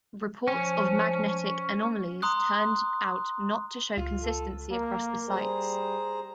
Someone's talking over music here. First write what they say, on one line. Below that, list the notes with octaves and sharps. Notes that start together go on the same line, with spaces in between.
Reports of magnetic anomalies turned out not to show consistency across the sites.
F3 C#4
A#5 C6 D#6 F#6
C#2 F4
A4
A#3
G3 G#4 C5 A#5